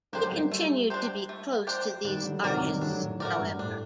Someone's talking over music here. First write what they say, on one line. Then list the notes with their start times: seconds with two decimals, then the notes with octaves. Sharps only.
He continued to be close to these artists, however.
0.13 F#3 A3 D4 G4 C5
0.32 G3 A#3
0.51 A3
0.90 D4 G4 C5
1.29 A3
1.67 D4 G4 C5
2.05 D#3 G3 D4
2.24 D3 F#3
2.43 C3 D#3 F#4 A#4 D5
2.57 F#3
2.62 D#3 G3
2.73 D#3
2.82 D3 F#3 D4
3.02 A2
3.20 A2 F#4 A#4 D5
3.39 G2
3.59 A2 D4